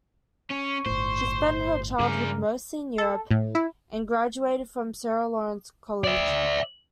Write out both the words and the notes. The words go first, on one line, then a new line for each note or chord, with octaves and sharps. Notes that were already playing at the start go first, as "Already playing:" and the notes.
She spent her childhood mostly in Europe and graduated from Sarah Lawrence College.
C#4 C#6
G1 A2 C5
G2 C#3 G#4 A#4 D5
A4
A2
E4
D5 E5